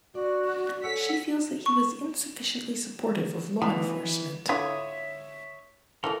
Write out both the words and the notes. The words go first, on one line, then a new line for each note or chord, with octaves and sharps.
She feels that he was insufficiently supportive of law enforcement.
D4 F#4 D5
G#4 A4 C#5 F#5 B6
C#6
E3 F3 B3 D#4
D3 E4 F4 C#5 E5 D#6
E3 F3 A3 A4 A#4